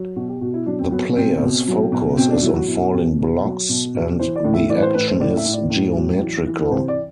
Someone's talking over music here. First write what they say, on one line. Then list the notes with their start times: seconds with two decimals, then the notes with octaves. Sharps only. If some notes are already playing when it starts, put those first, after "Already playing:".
The player's focus is on falling blocks, and the action is geometrical.
Already playing: F#3
0.16 B2 F#4
0.29 G4
0.41 B2 F#4
0.54 E4
0.66 F#3 D4
0.79 C4
0.91 F#3 B3
1.04 B3
1.16 B2 C4
1.42 B2
1.68 F#3
1.92 B2
2.17 B2 C4
2.30 D4
2.42 F#3 E4
2.56 F#4
2.68 B2 E4
2.81 F#4
2.93 B2 G4
3.19 B2
3.44 F#3
3.69 B2
3.95 B2
4.19 E3 C5
4.36 D5
4.45 A2
4.54 E5
4.69 E3 D5
4.77 B4
4.83 C5
4.94 A2 B4
5.08 C5
5.20 A2 D5
5.37 E5
5.45 A2
5.53 D5
5.70 A2
5.96 F#3
6.21 E3
6.47 E3
6.71 C3 C5
6.88 D5